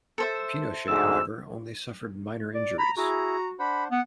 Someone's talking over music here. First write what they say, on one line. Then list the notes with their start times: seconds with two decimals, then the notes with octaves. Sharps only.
Pinochet, however, only suffered minor injuries.
0.18 A4 C5 E5
0.88 D2 G#2 E6
2.55 D5
2.78 A#5 B5
2.97 E4 F#4 G#4 A#5
3.59 D4 C5 F#5 B5
3.91 B3 F#5